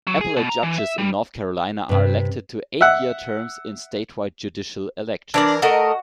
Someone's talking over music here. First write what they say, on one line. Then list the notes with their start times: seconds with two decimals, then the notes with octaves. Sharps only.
Appellate judges in North Carolina are elected to eight-year terms in statewide judicial elections.
0.07 F#3
0.21 G#4
0.37 B2
0.49 A#5
0.63 E3
0.78 E5
0.98 G3
1.89 G2 C3
2.81 E5 F#5
5.34 E3 D4 A#4 C#5 D5
5.62 A3 F#4 A#4 D#5